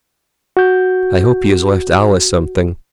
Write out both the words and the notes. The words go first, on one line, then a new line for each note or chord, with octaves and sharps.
"I hope he has left Alice something."
F#4 G6